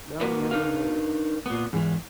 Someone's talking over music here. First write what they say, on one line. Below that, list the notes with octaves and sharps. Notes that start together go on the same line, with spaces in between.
Dumm never married.
A#3 F#4 A#4 B4
D4 D#4 A#4 B4 F5
A#2 B3
E2 G#2 D#3 E3